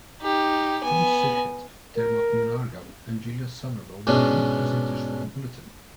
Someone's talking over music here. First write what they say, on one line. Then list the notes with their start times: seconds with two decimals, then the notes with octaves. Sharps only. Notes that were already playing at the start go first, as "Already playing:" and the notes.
John Suchet, Dermot Murnaghan, and Julia Somerville were relief presenters for the bulletin.
0.21 D#4 G4
0.83 B3 G#5
1.96 A#4
4.07 G#2 B2 C#4 D4